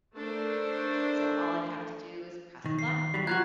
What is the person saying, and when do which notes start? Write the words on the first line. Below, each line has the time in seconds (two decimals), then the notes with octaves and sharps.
so all I have to do is press a button,
0.16 A3 D4 A4 A#4 C5
2.66 D#3
2.79 C7
3.14 F#3 G3
3.27 F3 F4 F#4 A#5 F#6 G#6